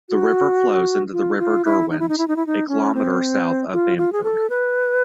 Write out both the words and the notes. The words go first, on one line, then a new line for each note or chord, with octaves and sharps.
The river flows into the River Derwent a kilometre south of Bamford.
F#4
F4
F4
E4
D#4
E4
D#4
E4
D#4
E4
D#4
C#4
C4
F4
F4
G#4
A4
B4